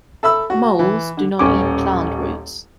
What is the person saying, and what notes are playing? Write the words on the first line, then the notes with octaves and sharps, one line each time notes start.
Moles do not eat plant roots.
A4 E5 B5 E6
F#4
E3
D3
D#1 A1 C#4 D6